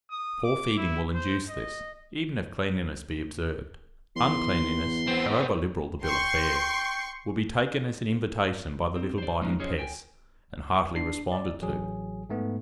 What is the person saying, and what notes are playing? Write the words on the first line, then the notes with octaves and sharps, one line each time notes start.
Poor feeding will induce this, even if cleanliness be observed; uncleanliness, however liberal the bill of fare, will be taken as an invitation by the little biting pests, and heartily responded to.
D#6
D6
E4
C5
D#5
E2 C6
B3 C4
G5 C6 C#6
C4
C5 D5
F3 G#3 A#3 B3 C#4 D#4
C#4 F4 G#4 C5 C#5 D#5
G5 G#5
D4 C7
D5
A1 F#3 G#4
G#2 A3 B3